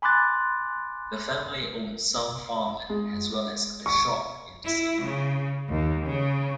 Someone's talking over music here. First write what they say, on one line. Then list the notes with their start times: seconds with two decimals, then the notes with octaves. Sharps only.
The family owned some farmland as well as a shop in the city.
0.02 G#5 B5 C6 D6 F#6 A6
2.89 G#3
3.86 C#6
4.64 E4
5.01 C#3
5.70 D#2
6.05 C#3